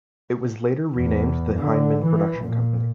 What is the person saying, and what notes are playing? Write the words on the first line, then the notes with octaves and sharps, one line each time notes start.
It was later renamed the Hinman Production Company.
E2
D3
E3
A#2